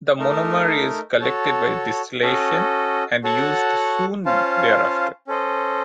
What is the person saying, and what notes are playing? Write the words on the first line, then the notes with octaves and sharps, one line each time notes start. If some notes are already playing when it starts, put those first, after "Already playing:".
The monomer is collected by distillation, and used soon thereafter.
A3 D#4 A#4
F#4 A4 C#5 A5
C#4 F#4 A4 D#5
F#4 A4 C#5 F#5 A5
C#4 F4 C5 F5 A5
C#4 A4 C5 D#5